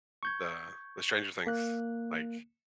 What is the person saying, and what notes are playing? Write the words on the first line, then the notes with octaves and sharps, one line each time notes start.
the the Stranger Things, like,
C#6 G6 G#6
A#3 F#6